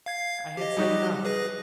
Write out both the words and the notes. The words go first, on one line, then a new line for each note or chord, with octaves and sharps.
I had said enough.
F5 G#6 C7
G4 D#5
G3 D#4 F#4
G#4 B4 A#6